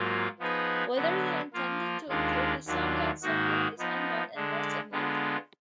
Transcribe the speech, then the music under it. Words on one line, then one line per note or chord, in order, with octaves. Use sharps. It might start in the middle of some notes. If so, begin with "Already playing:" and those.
Whether they intended to include the song on "Suffer" is unknown and most unlikely.
Already playing: G#2 F#3 A#3 F4
F3 B3 D#4 G#4 B4
D3 F#3 B3
F3 A#3 F4
D#2 D#3 G#3 D4 F4
D#2 D#3 F#3 D4 F4
G#2 D#3 A#3 D#4 F#4
F3 B3 D#4
D3 G#3 D4
D3 G#3 B3 F4